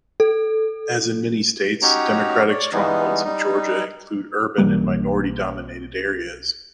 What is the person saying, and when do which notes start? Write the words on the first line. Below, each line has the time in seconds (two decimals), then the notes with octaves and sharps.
As in many states, Democratic strongholds in Georgia include urban and minority-dominated areas.
0.20 A4
1.82 C#4 D#4 F#4 G4 C#5 A#5
2.49 C#5 D5
2.73 E3 G3 G#3 B3 D#4
3.25 G3 D#4
4.58 B1 E3 G3 A#3